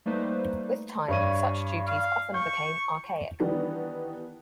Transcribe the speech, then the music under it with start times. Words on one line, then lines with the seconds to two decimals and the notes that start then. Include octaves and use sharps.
With time, such duties often became archaic.
0.06 G3 A3 A#3 D#4 B4 C5
1.08 G2 C#5 D#7
1.87 F5
2.34 C#6 G6
3.40 D#3 E3 G3 B3 D4 D#4